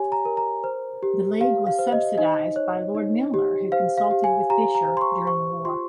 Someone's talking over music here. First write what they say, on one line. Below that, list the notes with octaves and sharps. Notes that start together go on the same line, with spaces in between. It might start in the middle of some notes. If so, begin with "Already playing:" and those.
The League was subsidised by Lord Milner, who consulted with Fisher during the war.
Already playing: G4 C#5 G#5
A#5
A#4
A#5
C5
G4
G4 F5
F5
C5
D#5
D#4 D#5
C#5
D#4
G4
C5 F5
F5
G4
G#5
G4 A#5
A#5
C5
C6
C#6
C5 C#6
F4 C6